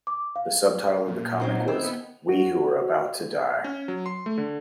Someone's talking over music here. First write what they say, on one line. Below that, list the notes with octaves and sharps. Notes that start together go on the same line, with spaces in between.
The subtitle of the comic was "We who are about to die".
D6
F5
A#2
F#3 C4 D#4
D#3 C4 E4
B3
F#4
C#4
F#3
C6
A3
D3